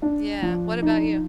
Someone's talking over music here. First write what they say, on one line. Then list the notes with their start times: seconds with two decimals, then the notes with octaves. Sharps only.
Yeah, what about you?
0.02 D4
0.42 F3
0.82 D#4